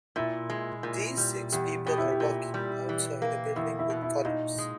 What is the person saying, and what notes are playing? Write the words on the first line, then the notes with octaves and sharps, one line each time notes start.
These six people are walking outside a building with columns.
A#2 E4
G#3
A#2
G3
E2 G4
B2 G4
E4
G4
A#2
G3
E3
A#3
E2 E4
E4
B2
E4
A#2 D#4
G#3